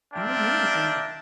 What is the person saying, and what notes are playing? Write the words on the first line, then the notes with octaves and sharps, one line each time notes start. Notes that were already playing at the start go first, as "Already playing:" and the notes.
I remember that.
D4 F4 A#4 E5 G5